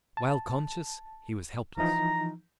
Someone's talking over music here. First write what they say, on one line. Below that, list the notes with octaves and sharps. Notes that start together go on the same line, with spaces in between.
While conscious, he was helpless.
A5
E3 F3 D#4 A#5